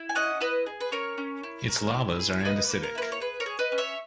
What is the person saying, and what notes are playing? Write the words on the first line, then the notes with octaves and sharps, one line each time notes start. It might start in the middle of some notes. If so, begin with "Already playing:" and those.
Its lavas are andesitic.
Already playing: E4
G#5
C#4 D#5 F#5
E4 B4 D#5
G#4
B4
C#4 A#4 C#5
C#4
E4
A#3
E4
G#4
A#3 B4 D#5
B4
A#3
A#4
E4 B4
A#4
C#5
G#4 B4
A#4 C#5
G#4
B4 D#5
C#4
C#5 E5